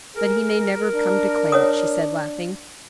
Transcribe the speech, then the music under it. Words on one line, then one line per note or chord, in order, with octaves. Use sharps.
"But he may never come to claim it," she said, laughing.
G#4 A#4
D4
C#5 F#5 D#6